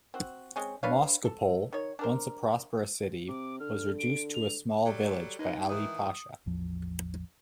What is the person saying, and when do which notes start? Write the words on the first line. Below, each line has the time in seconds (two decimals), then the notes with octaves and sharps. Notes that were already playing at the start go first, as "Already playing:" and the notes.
Moscopole, once a prosperous city, was reduced to a small village by Ali Pasha.
0.14 C4 F#4
0.56 G#3 C4 C#4
0.83 D4 B4 C#5 F5
1.25 A4
1.73 D#3 C#5
1.99 D4 A#4 C5
3.28 C3 D6
3.60 D3 F6
3.99 D7
4.34 F7
4.85 F#3 G3 A4
5.39 D#2 D#4 B4 D#5
5.70 D#3 E3 D#6
6.46 A1 E2 F3